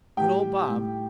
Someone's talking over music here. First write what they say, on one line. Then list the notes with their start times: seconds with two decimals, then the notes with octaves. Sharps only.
Good old Bob!
0.17 A2 G4 G5
0.43 G3
0.69 A2